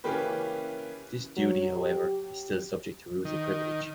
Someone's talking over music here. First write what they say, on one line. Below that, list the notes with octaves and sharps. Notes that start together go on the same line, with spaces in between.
This duty, however, is still subject to rules of privilege.
C#3 E3 A#3 C#4 G4 B4
F#3
G4
D#3